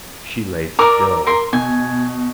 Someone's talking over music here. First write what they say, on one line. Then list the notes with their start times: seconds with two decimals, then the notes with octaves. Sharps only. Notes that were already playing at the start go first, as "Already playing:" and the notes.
She lay still.
0.79 A#4 D5 A#5 D6 E6
1.26 A#4 C6
1.53 B2 G#5